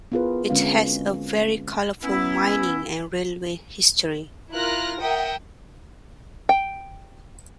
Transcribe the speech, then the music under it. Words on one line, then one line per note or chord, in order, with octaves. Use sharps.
It has a very colourful mining and railway history.
B3 E4 F4 G#4 A#4 B4
D3 G#3 C4 C#4 F#4 F5
B3 C#4 E4
E4 F4 A#4 F6 F#6 A#6
A#4 E5 F#5 G5 D#6
G5